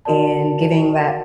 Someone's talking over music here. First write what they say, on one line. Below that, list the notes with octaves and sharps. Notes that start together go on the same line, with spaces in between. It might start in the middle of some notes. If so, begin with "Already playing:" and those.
and, giving that
F#4 A#4 D5 A5